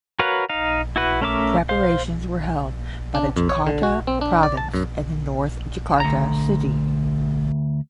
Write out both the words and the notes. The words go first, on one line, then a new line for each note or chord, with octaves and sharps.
Preparations were held by the Jakarta province and the North Jakarta City.
F#4 A#4 B4 C#5 F5
D#4 F5
E4 F#4 B4
A3 C#4 A#4 E5 D6
C5 F5
D4
F2
C#5
D3
F#4
C4
D4
D5
A5
F#2
D2 A#5